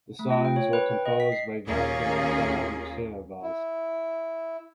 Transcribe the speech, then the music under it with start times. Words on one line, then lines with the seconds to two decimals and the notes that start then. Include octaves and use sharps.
The songs were composed by Vandemataram Srinivas.
0.19 A3
0.30 F4
0.45 G5
0.56 C#5
0.73 B4
0.91 G5
1.06 D#5
1.20 B6
1.32 C7
1.66 D#2 A#3 C#4 F4 G#4
3.43 E4